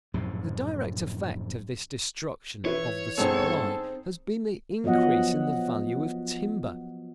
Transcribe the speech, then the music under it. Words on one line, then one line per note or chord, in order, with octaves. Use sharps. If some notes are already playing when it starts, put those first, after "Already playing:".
The direct effect of this destruction of the supply has been the increase in the value of timber.
A#1 F#2 A2 C3
E3 E4 B4 C#5
G2 B3 C4 D#4 G#4 A4
F3 F#3 B3 D#5 F#5